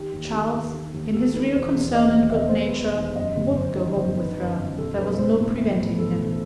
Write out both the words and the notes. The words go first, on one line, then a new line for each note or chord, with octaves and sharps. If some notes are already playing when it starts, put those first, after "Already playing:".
Charles, in his real concern and good nature, would go home with her; there was no preventing him.
Already playing: D#3 G4
D#2
D#3 A4
D#2
D#3
D#2
D#2 A4
D#3 B4
E1 C5
E1
D#3 D#5
D#2
E5
E1 D#5
C5
E1
B4
E1 B4
D#3
F#2 D#5
G1
F#2 C5
D#3
G1 C5
D#3 B4
F#2 B4
F#2
B1 A4
B1 B4
B1 C5
A2
E3 E4
A2
A2 A4
B1